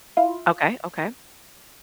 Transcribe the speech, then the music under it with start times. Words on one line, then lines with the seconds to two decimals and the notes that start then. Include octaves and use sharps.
Okay, okay.
0.17 E4 F4